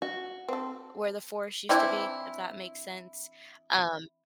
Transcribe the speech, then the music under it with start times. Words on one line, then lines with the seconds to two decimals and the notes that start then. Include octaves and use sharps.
where the forest used to be, if that makes sense. Um
0.02 F#4
0.48 C4 A4
1.69 E3 C4 D4 E4